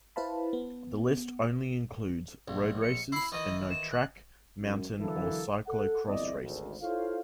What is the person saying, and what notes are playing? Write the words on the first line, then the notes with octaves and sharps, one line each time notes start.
The list only includes road races, and no track, mountain or cyclo-cross races.
E4 B4 C5 F5 A5 B5
B3
A#1
C#7
E4 B5 C7
D#3 E3 D#5
E7
F#6
F#2
D3 E3 F#3 A#3 E4 A4
A4 F#5
G1 E2 C4 E4 D5 D#5
G#1 D2
E4 F4 A4 C5 C#5 F5